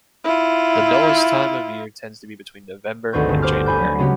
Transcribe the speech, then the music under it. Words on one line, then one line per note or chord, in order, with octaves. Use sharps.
The dullest time of year tends to be between November and January.
E4 F4
G#1 D2 C4 B4 C#6 G6
G1
C5 D6 F6
D2 G#5 B5 G6
F#3 A3
C#3 G#3 B3 C#4 F#4 G4